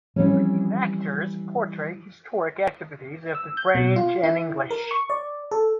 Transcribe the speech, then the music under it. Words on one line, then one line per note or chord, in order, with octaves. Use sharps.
Re-enactors portray historic activities of the French and English.
E3 F3 G3 C4 C#4
E6
G6
B2
F4
E4
A#4
C#6
D5
A4